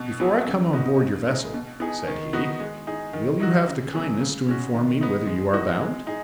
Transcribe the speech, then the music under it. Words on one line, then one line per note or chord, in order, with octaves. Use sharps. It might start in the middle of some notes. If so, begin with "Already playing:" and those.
"Before I come on board your vessel," said he, "will you have the kindness to inform me whither you are bound?"
Already playing: B2
F#3 B3 G#4
C#3
B3 D#4 F#4
C#3
G#3 D#4
B2
B3 D#4 G#4
D#3
B3 D#4 F#4
G#3
D#4 G#4
D#3
F#3 D#4 F#4
C#3
F#3 B3 G#4
C#3
G#3 C#4 F#4
D#3
B3 D#4
G#3
D#4 F#4
G#3
D#4 G#4